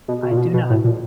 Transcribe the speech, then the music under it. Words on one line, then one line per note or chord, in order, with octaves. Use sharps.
I do not.
B2
B2
A#2
B2
B2
A2
A#2